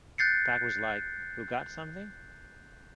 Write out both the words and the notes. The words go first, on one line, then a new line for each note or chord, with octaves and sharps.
'Pac was like, Who got something?
F#6 G6 A6 C7 C#7